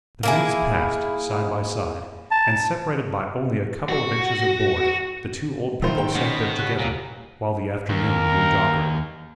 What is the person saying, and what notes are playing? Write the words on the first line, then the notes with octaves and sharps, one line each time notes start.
The minutes passed; side by side, and separated by only a couple of inches of board, the two old people sat there together, while the afternoon grew darker.
A#3 E4 G#4
A5
F#4
D#3 F3 E4 F4 C5
D3 A#3 G5
B2 B3 C#4
C#3 G3 F#6
A#2
D#2 A#4